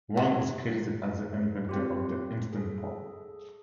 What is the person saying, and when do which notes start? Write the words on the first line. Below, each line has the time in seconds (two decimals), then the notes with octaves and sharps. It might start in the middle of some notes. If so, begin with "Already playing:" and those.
Wang is credited as the inventor of the Instant Pot.
0.17 F#3
1.69 C4 F4 G4
2.53 G#4 A4